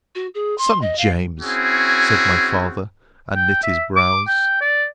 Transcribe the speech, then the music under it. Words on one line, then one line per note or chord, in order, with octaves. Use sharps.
Son James! said my father, and knit his brows.
F#4
G#4
C6
D#5
F5
C4 C#4 E4 F#4 G#4
G5
E5
D6
G5
D5